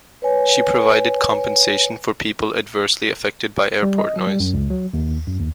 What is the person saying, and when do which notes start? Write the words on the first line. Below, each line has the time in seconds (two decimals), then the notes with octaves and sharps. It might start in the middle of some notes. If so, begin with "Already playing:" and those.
She provided compensation for people adversely affected by airport noise.
0.22 B4 C#5 G#5
3.83 G3
3.98 D#5
4.16 F#3
4.27 G3
4.40 F#2
4.54 C#2
4.70 F#3
4.94 D#2
5.27 F#2
5.40 D#2